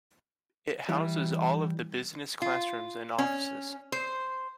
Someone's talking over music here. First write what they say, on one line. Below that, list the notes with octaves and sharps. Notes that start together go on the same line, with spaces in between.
It houses all of the business classrooms and offices.
E3 G3
F4
C#4
C5